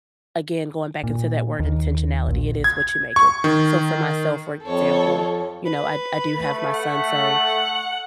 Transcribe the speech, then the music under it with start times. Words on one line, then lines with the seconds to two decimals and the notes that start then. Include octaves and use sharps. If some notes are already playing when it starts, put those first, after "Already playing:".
again, going back into that word "intentionality," it is what you make it, so, for myself, for example, you know, I d I do have my son, so,
1.04 A#2
1.60 D#2
2.28 A#1
2.64 G#6
3.16 C#6
3.44 D#3
4.62 F2 A4 C#5
5.66 B4
6.36 A3
6.74 F#5